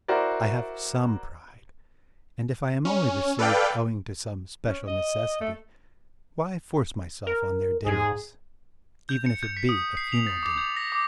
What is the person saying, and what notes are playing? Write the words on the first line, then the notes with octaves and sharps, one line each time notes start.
I have some pride, and if I am only received owing to some special necessity, why force myself on their dinners, even if it be a funeral dinner.
E4 F#4 A#4 C5 D5
C#4
A4 B4 D5 F5 G5
C#4
D#5
A3
A#4
G#2 G#4
G6
C#7
G6
B6
D#6
C7
F7
A6
D6
G6
A#6
D6